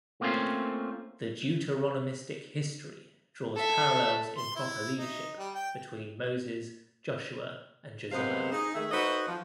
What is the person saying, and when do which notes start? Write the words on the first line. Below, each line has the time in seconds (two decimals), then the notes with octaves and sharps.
The Deuteronomistic history draws parallels in proper leadership between Moses, Joshua and Josiah.
0.21 A3 A#3 C4 C#4 F4
3.56 A4 E5
4.37 C6
4.56 E4
4.99 D#4
5.38 G3
5.54 G5
8.12 F#2 C3 G#3 B3 C5 F5
8.51 D#4 G#4
8.74 D#3 G#3 A3 E5
8.91 D#4 F#4 A4 B4 C5 D#5
9.27 F3